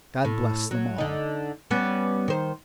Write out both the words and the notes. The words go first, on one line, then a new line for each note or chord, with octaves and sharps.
God bless them all.
A2
F#3
D3 D#4
G3 B3 C#4
D#3 C5